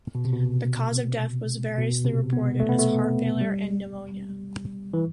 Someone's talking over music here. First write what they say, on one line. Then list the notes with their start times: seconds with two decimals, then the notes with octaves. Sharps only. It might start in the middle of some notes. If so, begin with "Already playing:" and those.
The cause of death was variously reported as heart failure and pneumonia.
0.15 B2
0.25 C3
0.33 B2
1.78 B2
2.05 C3
2.33 B3
2.60 A3
2.69 B3
2.79 A3
3.41 G3
4.94 E3